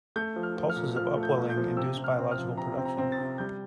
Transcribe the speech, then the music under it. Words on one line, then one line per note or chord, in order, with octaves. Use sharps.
Pulses of upwelling induce biological production.
A3 G6
F3
F6
F3
F6
A#2
F3 F6
A3
G6
A#2
G6
F3
C3 E6
C3
F6
C4
F6
F3
C3 A#5
C4
A#5
C4
A6
C3
G3 G6